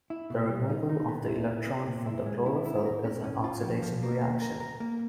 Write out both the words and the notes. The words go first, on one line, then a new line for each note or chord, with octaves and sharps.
The removal of the electron from the chlorophyll is an oxidation reaction.
E4
B2
G3
D#4
D#4
B3
E4
E4
B3
A#2
E4
G#3
E4
E4
A#4
C#4
C#4
F4
F3
F3
A#3
A#3
A#4
A#4
A#3